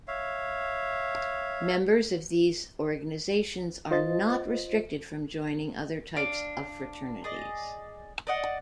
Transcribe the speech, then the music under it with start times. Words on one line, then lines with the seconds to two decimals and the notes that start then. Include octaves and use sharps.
Members of these organizations are not restricted from joining other types of fraternities.
0.08 C#5 E5 F5
3.91 F4 C5 D#5 A6
6.16 D4 F5
7.24 G#4 D5 D#5
8.27 D5 D#5 F#5